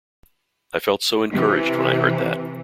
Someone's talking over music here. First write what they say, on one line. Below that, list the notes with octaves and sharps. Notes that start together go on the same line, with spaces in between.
I felt so encouraged when I heard that.
C3 E3